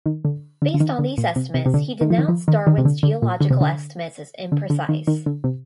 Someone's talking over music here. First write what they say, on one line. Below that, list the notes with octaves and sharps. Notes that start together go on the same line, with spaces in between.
Based on these estimates he denounced Darwin's geological estimates as imprecise.
D#3
D3
D3
D3
D#3
D3
A#2
C3
C3
C3
D3
D#3
F3
D#3
F3
D#3
D#3
C3
D3
D3
A#2
D3
C3
D3
D3
D3
D#3
D#3
D3
C3